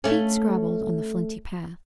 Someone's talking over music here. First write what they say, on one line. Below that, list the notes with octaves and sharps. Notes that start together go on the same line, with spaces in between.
Feet scrabbled on the flinty path.
A3 C#4